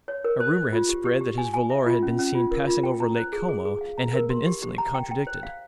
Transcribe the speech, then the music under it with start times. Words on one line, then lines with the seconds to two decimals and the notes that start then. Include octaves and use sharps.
A rumour had spread that his volor had been seen passing over Lake Como, and had been instantly contradicted.
0.08 C#5
0.24 A#4
0.40 C5
0.57 C5
0.73 F4
0.89 G4
1.05 G4
1.21 G4
1.38 G#5
1.54 G#5
1.70 E5
1.86 F4
2.02 C#4
2.19 C#4
2.35 F4
2.51 A#4
2.67 F4
2.83 G5
3.00 A#5
3.16 C5
3.33 G#4
3.49 G#4
3.65 G#4
3.81 F5
3.98 A#5
4.14 A#4
4.30 C6
4.46 G4
4.62 G4
4.78 A#5
4.94 G5
5.11 G5
5.27 C5
5.43 F5